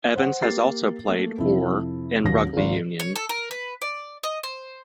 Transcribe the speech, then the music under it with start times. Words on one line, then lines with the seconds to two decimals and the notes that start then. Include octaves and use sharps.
Evans has also played for in rugby union.
0.16 C5 F#5
0.42 A#3 G4 A6 C7
1.08 A3 A#3
1.38 F2 C3 E4
2.24 D#1 D#2 F#3 A#6
2.53 G#1 C#2
3.00 C#5
3.16 A4
3.29 A#4
3.51 B4
3.82 D5
4.23 D#5
4.43 C5